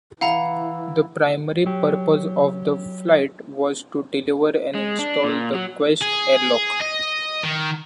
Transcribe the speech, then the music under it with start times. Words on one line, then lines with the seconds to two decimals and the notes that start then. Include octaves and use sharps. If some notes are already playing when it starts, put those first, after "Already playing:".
The primary purpose of the flight was to deliver and install the Quest airlock.
0.21 E3 E4 F5 F#5 A#5
1.66 F#3 G4
4.74 G#3
4.99 D4
5.24 A#2
5.54 F#3
6.01 G#4
6.82 D#5
7.43 D#3